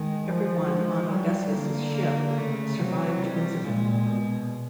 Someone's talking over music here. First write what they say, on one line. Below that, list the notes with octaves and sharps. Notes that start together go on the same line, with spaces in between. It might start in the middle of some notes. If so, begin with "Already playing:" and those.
Everyone on Odysseus's ship survived the incident.
Already playing: D#3 G#3
F3
G#3
F#3 G3
D3 A#3
A#3
C#3 A3
C3 F#3
G3
A#2 G#3
B2